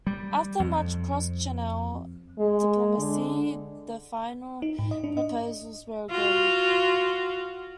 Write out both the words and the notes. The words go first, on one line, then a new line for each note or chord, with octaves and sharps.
After much cross-Channel diplomacy the final proposals were agreed.
G3
F2
G#3
D3
D#4
G#2
D#5
D4
D#5
F4 F#4